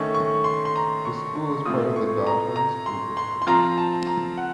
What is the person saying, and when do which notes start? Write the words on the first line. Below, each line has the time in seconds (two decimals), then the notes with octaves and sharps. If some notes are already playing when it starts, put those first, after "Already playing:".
The school is part of the Dodgeland School District.
Already playing: D#3 A3 C#4 C#6
0.14 C#6
0.44 C6
0.65 C6
0.76 A#5
1.05 C#6
1.35 C#6
1.66 A2 A3 C4 F4 D#6
1.96 C#6
2.27 A#5
2.56 A#5
2.86 C6
3.17 C6
3.42 C6
3.47 F3 C4 F4 A#5
3.78 A5
4.07 A#5
4.38 F#5